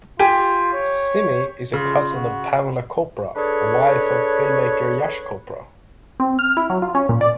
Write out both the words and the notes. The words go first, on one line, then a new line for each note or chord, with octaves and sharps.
Simi is a cousin of Pamela Chopra, wife of film-maker Yash Chopra.
F4 G4 G5 G#5
C#5
C#3 F4
F#4
D4 G#4 A4 B4 C#5
C4
F6
E4
F#3
F4
C#4
A#2
D5